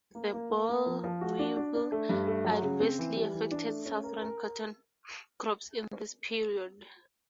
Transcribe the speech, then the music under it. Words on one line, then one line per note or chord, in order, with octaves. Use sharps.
The boll weevil adversely affected southern cotton crops in this period.
A#3
A#3
A#3
A#3
F3
F3
F#4
D4
D4
D4
A3
G2
A3
F#3
C#3
C4
E3
G3
E3
D4
A3
C#4
A#4
A#4